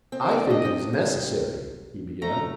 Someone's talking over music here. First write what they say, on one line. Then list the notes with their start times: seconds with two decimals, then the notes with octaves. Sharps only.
"I think it is necessary," he began.
0.12 C4
0.22 C5
0.31 D#4
0.36 D5
0.50 D4 D#5
0.65 C4
0.79 D4
0.93 A#3
1.07 C3
2.22 A3 A#5